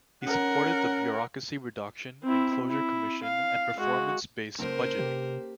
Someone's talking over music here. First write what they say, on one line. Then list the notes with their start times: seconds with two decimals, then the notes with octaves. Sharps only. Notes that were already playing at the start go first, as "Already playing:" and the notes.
He supported the Bureaucracy Reduction and Closure Commission and performance-based budgeting.
0.25 C#4 A#4 F#5
2.23 C4 E4
2.68 E4
3.23 F5
3.77 G#3 F#4
4.59 C#2 A#3 C#4 A4 A#4 C5
4.99 C3 G4